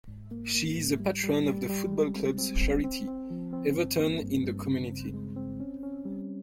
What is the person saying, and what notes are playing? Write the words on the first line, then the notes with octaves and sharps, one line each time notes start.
She is a patron of the football club's charity, Everton in the Community.
G#2
A#3
A#3
G#2
G3
G3
G3
G3
G#3
C4
C4
C4
C4
C4
F3
C4
G2
A#3
G2
G2
C#3
C4
G#3
C4
C#4
C#4
G3